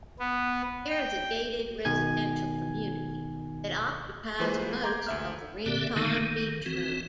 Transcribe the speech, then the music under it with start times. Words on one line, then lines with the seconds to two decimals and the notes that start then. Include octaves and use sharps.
There is a gated residential community that occupies most of the Rincon beachfront.
0.19 B3
0.90 G5
1.85 B2 D#3 G#5 G#6
4.40 E3 G#3 A#3 F4 B4 C5
4.84 A#5 C6 D6 G6 G#6
5.07 D2 E5 F6
5.66 A#2 D3 C4 G4 D5 E5
5.96 D3 D#3 G#3 A3 B3 D#4
6.21 D#3
6.66 E3 C4 F#4